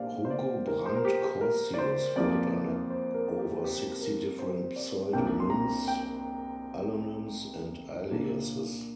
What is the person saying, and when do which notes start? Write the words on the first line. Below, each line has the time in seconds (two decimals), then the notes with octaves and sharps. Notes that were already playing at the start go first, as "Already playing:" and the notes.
Hugo Brandt Corstius wrote under over sixty different pseudonyms, allonyms and aliases.
Already playing: A#2 A#3 D4 G4 A#4 C5 D5 F5
0.25 C5
0.30 D5
0.67 A#4
0.86 C5
0.95 A#4
1.05 G4
1.41 A#4
1.74 D5
1.78 C5
2.16 F2 F3 A#3 D5
2.90 C5
3.14 A#4
3.39 G4
3.64 G4
4.01 A#4
4.39 C5
4.76 D5
5.13 C2 C3 A#3 D4 G5
5.40 C6
5.50 A#5
5.88 G5
8.11 A#2 A#3 D4